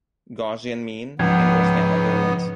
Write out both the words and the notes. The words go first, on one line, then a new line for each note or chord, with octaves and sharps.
Gaussian mean, inverse-gamma variance.
C#2 G#2 C#3 F3 B3 D#4 G#6